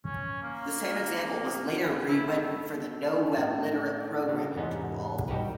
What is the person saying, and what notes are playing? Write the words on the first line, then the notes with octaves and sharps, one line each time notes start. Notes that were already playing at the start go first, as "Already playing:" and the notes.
The same example was later rewritten for the noweb literate programming tool.
C#4
A#3
E4
A4
A4 B4
A2
C#3
E2 G#2 C3 B3 C#4 D#4
G3 D#4 F#4 G4 A#4 B4